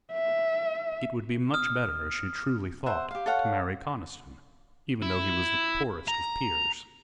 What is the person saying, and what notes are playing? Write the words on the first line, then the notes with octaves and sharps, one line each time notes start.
It would be much better, as she truly thought, to marry Conniston, even though he was the poorest of peers.
E5
D#6 F6
C5 E5 F#5
G4 F5
A4 C#5 F5 F#5
E4
A#5